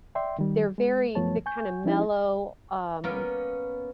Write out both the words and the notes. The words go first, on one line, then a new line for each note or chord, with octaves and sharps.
they're very they're kinda mellow, um,
D5 E5 G5 C6
D#3 G3
G#3
F#2 F3 A3 B3 C#5 A5
G#5 C#6 G6
F3 C#4 D#4 E4 G4
A#3 B3 C#4